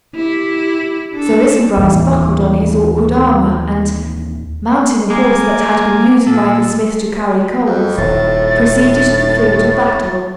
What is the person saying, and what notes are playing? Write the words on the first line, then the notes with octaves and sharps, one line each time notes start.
Sir Isumbras buckled on his awkward armor and, mounting a horse that had been used by the smith to carry coals, proceeded to the field of battle.
E4 G4
D4 A4
D#2 A2 E3
G#3 A#3 G#5 D6
A#2 A4 E6
F2
D#1 A2 D#3 A6